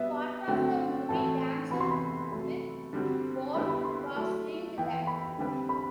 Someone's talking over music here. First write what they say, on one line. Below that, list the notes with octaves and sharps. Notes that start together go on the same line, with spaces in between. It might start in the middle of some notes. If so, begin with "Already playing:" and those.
Part of the movie "Dances with Wolves" was filmed there.
Already playing: B2 G3 B3 E5
D3 F#3 A3 C4 F#4 G5
A2 E3 A3 C4 F#4 A5
C3 E3 B3 F#4 B4 B5
C6
B5
C3 F#3 A3 B5
D3 G3 C4 F#4
D3 G3 B3 E4 G4 B5
B5
C6
F#3 A3 E4
E3 B3 E4 G5
B5
D3 G3 C4 G4 B4
B5